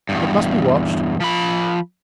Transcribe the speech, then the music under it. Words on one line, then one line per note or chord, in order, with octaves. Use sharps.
'It must be watched.
E2 G2
F3 B5